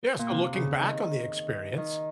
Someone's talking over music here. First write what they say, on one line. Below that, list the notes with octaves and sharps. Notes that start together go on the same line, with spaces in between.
Yes, so looking back on the experience,
A#2
C3
C#3
D#3
D#3